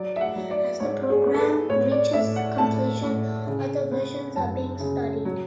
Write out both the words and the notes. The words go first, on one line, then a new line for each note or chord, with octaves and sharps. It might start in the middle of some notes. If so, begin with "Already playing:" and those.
As the programme reaches completion, other versions are being studied.
Already playing: F#3 D5
E5
F#5
F#3
D5
G#2 C#5
G#4
B3
A4
B4
A2 C#5
D5
A2 E5
F#5
A2 A5
A2
C#3
B3
F#2 A5
C#3
F#3